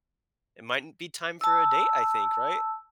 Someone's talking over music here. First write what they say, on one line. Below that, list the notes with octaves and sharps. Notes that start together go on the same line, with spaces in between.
it mightn't be time for a date, I think. Right?
A5 E6